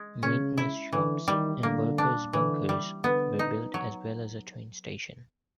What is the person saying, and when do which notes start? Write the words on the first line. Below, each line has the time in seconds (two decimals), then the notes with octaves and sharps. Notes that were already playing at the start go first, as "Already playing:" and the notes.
Maintenance shops and workers' bunkers were built as well as a train station.
Already playing: G#3
0.23 C#3 C#4
0.58 E4
0.93 D3 E3
1.28 D#3 G3
1.63 D3 A#3
1.98 D4
2.33 D3 E3
2.69 G3
3.04 D3 B3
3.39 D#4
3.74 F#3